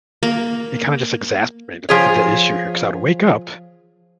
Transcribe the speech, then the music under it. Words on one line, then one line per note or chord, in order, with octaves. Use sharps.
it kinda just exacerbated the the issue here because I would wake up
A#3
F3 G#4 C#5